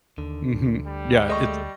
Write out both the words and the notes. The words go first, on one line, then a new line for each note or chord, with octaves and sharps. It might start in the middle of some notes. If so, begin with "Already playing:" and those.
Mhm, yeah, it's
D#2 D3
D2
G3
G#3 A3 D#5 C#6